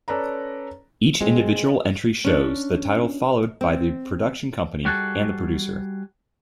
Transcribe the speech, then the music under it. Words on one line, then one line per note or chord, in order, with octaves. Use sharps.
Each individual entry shows the title followed by the production company, and the producer.
C#4 A4 B4 D5 A#5
G#3 C4
C#4 D4
C4
G3 F#4 G#4 A4